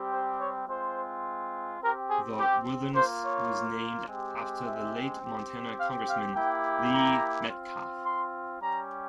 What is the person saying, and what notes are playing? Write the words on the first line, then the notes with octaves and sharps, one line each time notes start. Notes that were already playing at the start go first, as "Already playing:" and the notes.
The wilderness was named after the late Montana congressman Lee Metcalf.
Already playing: G3 C4 G4
C5
C#5
G#3 C4 F4 C5
C4 G4 A#4
G#4
G4
A#3 F4 C5
C#5
G#3 C4 G4
E5
C4 G4
F5
F5
A#3 E4 G4 G5
A#5
C4 F4
C6
G3 C#4 G4 A#5